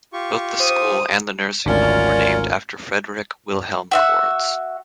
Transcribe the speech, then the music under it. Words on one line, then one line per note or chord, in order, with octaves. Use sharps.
Both the school and the nursing home were named after Friedrich Wilhelm Cords.
F4 G4 C#6
C5 D#6
G#1 D2 C#4 D4 F4 A#4 D5
F#4 E5 F#5